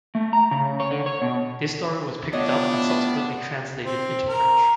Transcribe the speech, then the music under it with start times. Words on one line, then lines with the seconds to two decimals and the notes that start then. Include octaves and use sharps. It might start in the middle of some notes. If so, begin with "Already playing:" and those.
This story was picked up and subsequently translated into French.
0.15 A3
0.33 A#5
0.51 C#3
0.80 C#5
0.91 D3
1.06 C#5
1.22 B2
2.33 A3 B3 D4 E4 F4 G4 C#5 D#5
2.89 B4
3.86 C4
4.28 A#4